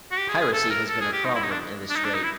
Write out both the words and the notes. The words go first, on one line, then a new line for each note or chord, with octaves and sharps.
Piracy has been a problem in the strait.
F#4
G4
G#4
G#4
A4
A#4
A4
G#4
G4
D#4
E4
D#4
D4
D4
D#4
D4
D#4
E4